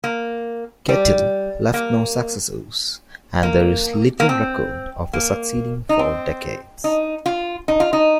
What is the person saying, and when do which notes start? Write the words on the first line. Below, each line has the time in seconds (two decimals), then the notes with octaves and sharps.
Ketill left no successors and there is little record of the succeeding four decades.
0.04 A#3
0.89 G3
1.74 A#3
3.43 A#3
4.20 A#3
4.29 C4
5.13 A#3
5.89 D#4
5.99 C4
6.84 D#4
7.26 F4
7.68 D#4
7.80 F4
7.93 D#4